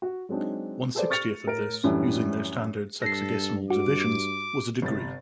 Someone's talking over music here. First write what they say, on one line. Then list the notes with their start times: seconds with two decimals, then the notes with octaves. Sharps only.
One sixtieth of this, using their standard sexagesimal divisions, was a degree.
0.02 F#4
0.29 F#3 G#3 C4 D4 D#4
0.95 G#4 A4 B4 C5 D5
1.10 C#6 F6 A6 C#7 F7
1.46 A2 A#4 D7
1.83 F#2 A2 E3 G3 D4 E4
3.02 G2 A4 A#6 C7
3.70 F#4 D6
4.82 G1 C3 A6